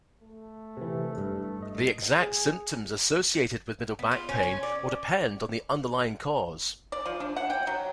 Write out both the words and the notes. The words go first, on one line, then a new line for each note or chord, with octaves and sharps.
The exact symptoms associated with middle back pain will depend upon the underlying cause.
A3
C3 E3
G2
D#5
G#4
B3
F4
C#4
C#4
D5
D5
F3
D4
F#5
G5
F#3